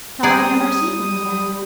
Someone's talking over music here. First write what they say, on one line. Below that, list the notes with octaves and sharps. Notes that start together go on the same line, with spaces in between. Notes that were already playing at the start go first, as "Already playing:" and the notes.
Shall I never see them again?'
G3 G#4 D5 F#5 A#5 D#6 G6